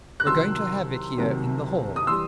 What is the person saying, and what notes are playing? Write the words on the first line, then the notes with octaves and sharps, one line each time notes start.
We're going to have it here in the hall.
F#6
C2 C3 D#3 F#3 C6 E6
C2 C3 D#3 F#3
D#6
E3 G3 C6 E6